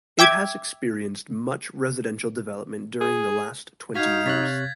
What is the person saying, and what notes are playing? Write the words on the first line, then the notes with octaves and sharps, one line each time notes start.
It has experienced much residential development during the last twenty years.
E5 G5 D6 G#6
G#4
D#4 F#4 F5 G6 G#6 B6
C3 C#5 F#6 G#6 A6 B6